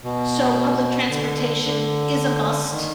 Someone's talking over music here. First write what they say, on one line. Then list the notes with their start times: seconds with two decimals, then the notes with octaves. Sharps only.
so public transportation is a must,
0.04 B2
1.10 D3
1.65 D3
2.71 D#3